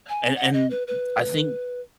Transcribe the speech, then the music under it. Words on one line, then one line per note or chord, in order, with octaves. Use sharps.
And and, I think
G#5
F#5
D#5
B4
B4